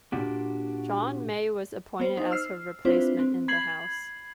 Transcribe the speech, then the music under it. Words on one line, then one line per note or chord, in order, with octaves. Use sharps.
John May was appointed as her replacement in the House.
A#2 D4 F#4 G4
B3 C5
D#4 C5
E6 F6 C7
C4 D4 E4 F4 B4 C5
C4
B5 G#6 C7 F#7